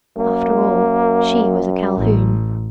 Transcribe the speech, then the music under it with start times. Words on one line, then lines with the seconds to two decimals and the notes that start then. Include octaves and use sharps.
After all, she was a Calhoun.
0.18 F#2 A#3
1.96 A1